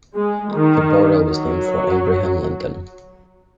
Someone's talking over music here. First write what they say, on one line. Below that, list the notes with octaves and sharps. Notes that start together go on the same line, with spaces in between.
The borough was named for Abraham Lincoln.
G#3
D#3
F#3